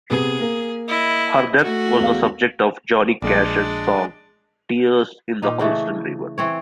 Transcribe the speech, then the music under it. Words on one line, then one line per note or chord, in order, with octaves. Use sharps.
Her death was the subject of Johnny Cash's song "Tears in the Holston River".
C3 B3 G#4
A#3
E4 D#5
A3 F#4
E2 F5
A#1 G#3 D4 D5
A#2 D#4
C#3 E3 A3
E3 C4 C#5